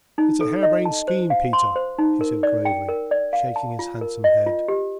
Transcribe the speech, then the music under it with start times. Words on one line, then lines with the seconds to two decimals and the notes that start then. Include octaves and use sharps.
"It's a harebrained scheme, Peter," he said gravely, shaking his handsome head.
0.18 D#4
0.41 A4
0.63 D#5
0.85 A5
1.08 C5
1.30 F5
1.53 C6
1.76 C5
1.98 D#4
2.21 A#4
2.43 D5
2.65 G5
2.89 A#4
3.11 D5
3.33 F5
3.56 A5
3.79 F4
4.01 A#4
4.24 D#5
4.46 F4
4.68 G4